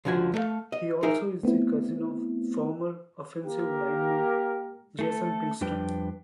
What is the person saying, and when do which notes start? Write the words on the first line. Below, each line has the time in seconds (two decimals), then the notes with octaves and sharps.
He also is the cousin of former offensive lineman Jason Pinkston.
0.05 C#2 D3 F3 F#4 G#5
0.34 A3 A4 F5
0.72 D#5
1.03 D#4 G#4 A#4 E5
1.43 A3 B3 C4 E4
3.45 A#3 G4 A#4
4.99 A3 G#4 A4
5.61 F2 G3 D4 B4 G5